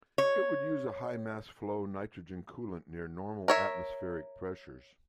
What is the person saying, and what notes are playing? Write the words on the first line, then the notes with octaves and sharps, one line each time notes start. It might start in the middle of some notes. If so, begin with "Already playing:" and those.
It would use a high mass-flow nitrogen coolant near normal atmospheric pressures.
C#5
A#4 C#5 E5